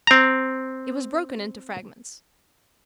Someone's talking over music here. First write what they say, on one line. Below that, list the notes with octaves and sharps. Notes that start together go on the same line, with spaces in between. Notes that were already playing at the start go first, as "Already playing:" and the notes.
It was broken into fragments.
C4 A#5